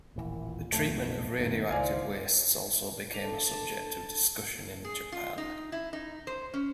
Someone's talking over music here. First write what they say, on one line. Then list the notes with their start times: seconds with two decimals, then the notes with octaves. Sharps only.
The treatment of radioactive wastes also became a subject of discussion in Japan.
0.16 D#1 A1 A#2 E3
0.72 B1 F2 A3
1.38 B1 F#2 A2 D#3
1.70 C#2 D#3 E4 C5 D5 F5 G#5
3.14 D4 A4 A5
4.84 G#4
5.12 F4
5.38 D#4
5.72 E4
5.93 D#4
6.27 C5
6.54 C#4